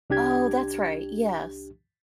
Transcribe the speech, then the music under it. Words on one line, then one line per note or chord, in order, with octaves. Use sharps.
Oh, that's right. Yes.
C2 D4 G4 G#6